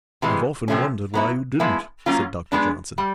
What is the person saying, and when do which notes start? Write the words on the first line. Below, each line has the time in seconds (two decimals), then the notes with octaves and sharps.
"I've often wondered why you didn't," said Doctor Johnson.
0.22 C3 E3 G#3
0.68 C3 F3 A3 C#4
1.14 F#3 B3 E4
1.60 F3 G#3 B3 E4
2.06 F#3 A#3 C#4 F4
2.52 G#3 B3 D4
2.98 G3